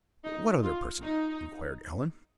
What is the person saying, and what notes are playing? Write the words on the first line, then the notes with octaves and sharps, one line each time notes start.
"What other person?" inquired Allan.
D#4
F4
D#4